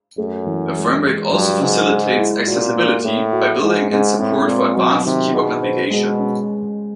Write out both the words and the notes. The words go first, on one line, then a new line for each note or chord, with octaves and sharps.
The framework also facilitates accessibility by building in support for advanced keyboard navigation.
F#2 A3
E3
G#3
G#3
G2 F#3
G#2 C#3
G#3
E4
A#2 F#4
A#3
A2 A3
F#4
G#2 G#3
G#2 G#3
A2 C4
A#2 C4
B2 F#3
C3 D#3
B2 G#4
C5
B2 G#3
C#4